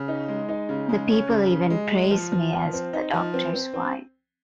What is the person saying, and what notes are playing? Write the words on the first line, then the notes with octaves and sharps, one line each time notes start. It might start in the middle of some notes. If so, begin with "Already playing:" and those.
The people even praise me as the doctor's wife.
Already playing: C#3
D#4
G#3
D#4
C#3
G#3
C#4
C#3
C#3
G#3
G#3
F3
F3
F3
C4
D#4
F3
C4
C4
C4